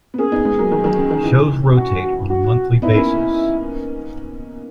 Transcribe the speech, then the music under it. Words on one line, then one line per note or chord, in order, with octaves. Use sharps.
Shows rotate on a monthly basis.
B3
A#3 C#4 G#4
B3 D#4
G#3 B3
F#3 A#3
D#3 F#3
D#3 F#3
C#3
D#3
C#3 E3
F#4
F#4
B3 D#4 E4
A#3 C#4